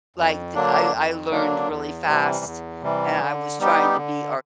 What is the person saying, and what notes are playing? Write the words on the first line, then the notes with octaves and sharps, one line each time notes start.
Like, th I I learned really fast, and I was trying to be
F2
D3 F#3 A#3 D4
F2
D3 F#3 A#3 D4
E2
C3 E3 G3
E2
C3 E3 G3
D3
G3 B3 D#4 G4
D3